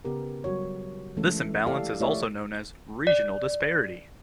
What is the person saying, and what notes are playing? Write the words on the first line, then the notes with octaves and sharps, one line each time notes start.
This imbalance is also known as regional disparity.
C#3 B3 G4 A#4
F#3 G3 F#4 C#5
E3 G#3 A3 C#4 A4
E4 G4 A4 D5 F5
A3 E4 G4 C#5 D5 E5
D5